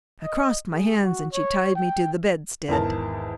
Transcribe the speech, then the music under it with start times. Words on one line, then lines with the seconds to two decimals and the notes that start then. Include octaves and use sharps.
I crossed my hands and she tied me to the bedstead.
0.23 D#5
0.71 G#4
1.02 F#4
1.33 C#5
1.75 G5
2.68 G#1 E2 A#4 A5